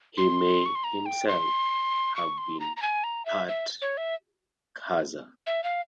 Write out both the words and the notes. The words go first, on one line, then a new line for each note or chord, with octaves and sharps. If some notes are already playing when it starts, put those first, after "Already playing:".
He may himself have been part Khazar.
C6
C#6
C6
A#5
G5
C6
C#6
C6
A#5
A#5
G#5
A#5
E5
E5
C#5
E5
E5
F5